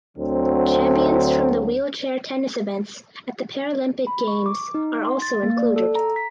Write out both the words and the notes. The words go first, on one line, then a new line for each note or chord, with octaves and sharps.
Champions from the wheelchair tennis events at the Paralympic Games are also included.
D2 D3 F#3 C4
B5
C#6
D6
D#4
C6
A6
A#3
D5
A4
A#5
B6